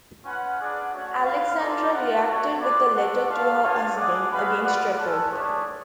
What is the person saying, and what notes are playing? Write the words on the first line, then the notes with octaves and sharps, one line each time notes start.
Alexandra reacted with a letter to her husband against Trepov.
C#4 F4 B4 F#5
D4 G#4 D5 F#5
A3 C#4 F#4 C#5 F#5
C#4 F4 B4 F5
F4 A4 D5
F4 B4 F#5
F#4 A4 C#5
F4 B4 D5
F#4 A4 D5 F#5
A3 F4 A4 F5
D4 F4 A4 C#5 F5
G#3 D4 G#4 D5 F#5
G#3 B3 F#4 B4 F5
F4 B4 D5 F#5
C#4 F4 A4
A3 D4 G#4 C#5